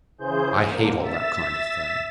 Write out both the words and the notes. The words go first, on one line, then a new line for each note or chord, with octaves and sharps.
I hate all that kind of thing.
C#3 E3 G#4 C5 G6
D3 A#3
E5 A6 B6 E7